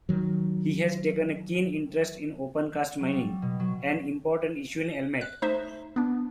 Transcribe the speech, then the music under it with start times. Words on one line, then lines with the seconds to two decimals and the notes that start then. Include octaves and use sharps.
He has taken a keen interest in opencast mining, an important issue in Elmet.
0.09 D#3 F#3
3.00 F#3
3.12 G3
3.42 B2
3.60 F#3
5.21 F#6
5.42 A3 D#4 C5 E5
5.96 B3 D4